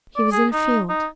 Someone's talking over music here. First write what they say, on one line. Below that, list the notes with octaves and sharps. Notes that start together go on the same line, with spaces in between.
He was in a field.
D5
G#4
D#4
D#4